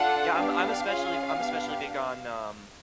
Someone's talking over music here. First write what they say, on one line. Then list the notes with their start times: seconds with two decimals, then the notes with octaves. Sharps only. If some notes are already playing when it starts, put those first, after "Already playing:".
Yeah, I'm I'm especially I'm especially big on, um
Already playing: D4 F4 A4 F#5
0.35 B3 D4 G4 F5
0.87 C#4 F4 G#4
1.41 B3 D4 G4